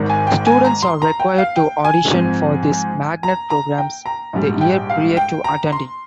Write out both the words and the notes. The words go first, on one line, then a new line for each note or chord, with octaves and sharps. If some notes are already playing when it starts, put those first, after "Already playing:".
Students are required to audition for these magnet programs the year prior to attending.
Already playing: G#1 G#2 D#3
G#5
G5
G#5
A#5
C6
A#5
G5
F5
G5
G#5
G#2 F3 C4
A#5
A#5
G5
A#5
A#1 G#2 G3
G5
F5
G5
A#5
C6